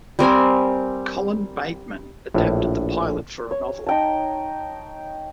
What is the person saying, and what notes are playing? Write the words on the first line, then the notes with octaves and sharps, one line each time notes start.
Colin Bateman adapted the pilot for a novel.
G3 C4 A#4 G#5
A#1 A2
C#5
D#4 G5 A5